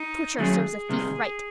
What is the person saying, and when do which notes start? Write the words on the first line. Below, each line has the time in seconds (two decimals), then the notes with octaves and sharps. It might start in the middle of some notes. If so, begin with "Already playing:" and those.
Torture serves a thief right.
Already playing: D#4
0.38 D#2 D#3 F#3 A3 C#4 G#4
0.89 C2 C3 D#3